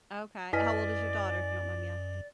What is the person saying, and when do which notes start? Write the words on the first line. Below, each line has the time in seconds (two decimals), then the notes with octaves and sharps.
Okay how old is your daughter, if you don't mind me asking?
0.53 F#2 E4 B4 D5 D#5 G#5 F6 B6